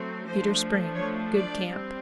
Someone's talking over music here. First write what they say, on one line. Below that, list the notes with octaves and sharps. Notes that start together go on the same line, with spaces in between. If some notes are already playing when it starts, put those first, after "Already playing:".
Cedar Spring.--Good camp.
Already playing: F#3 A3 C4
F3 A3 D4 C5
C#5
D5
G3 C4